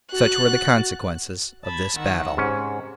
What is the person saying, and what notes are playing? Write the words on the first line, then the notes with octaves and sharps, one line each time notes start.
Such were the consequences of this battle.
F#4 F#6 A6
A5 B5 G#6
D#3 F#5 E6
G#2 C3 C#4